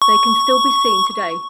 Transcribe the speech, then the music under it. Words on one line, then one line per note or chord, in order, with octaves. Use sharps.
They still can be seen today.
C#6